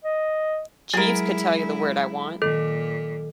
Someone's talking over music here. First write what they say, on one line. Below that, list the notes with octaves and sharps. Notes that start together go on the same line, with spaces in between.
Jeeves could tell you the word I want.
D#5
F#3 G#3 E4 G#4 A#4
A#2 D#3 A4